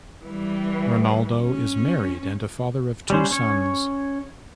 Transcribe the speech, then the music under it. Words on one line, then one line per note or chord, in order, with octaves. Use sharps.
Ronaldo is married and a father of two sons.
E3 G3
C#4
G3 C#4 C5
C#4 C#5